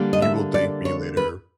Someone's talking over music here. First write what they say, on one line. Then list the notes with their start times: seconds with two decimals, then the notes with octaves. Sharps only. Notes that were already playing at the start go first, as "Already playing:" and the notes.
You will thank me later,
Already playing: D3 G3 A#3
0.13 D#5
0.22 E5
0.54 D5
0.85 C#5
1.17 B4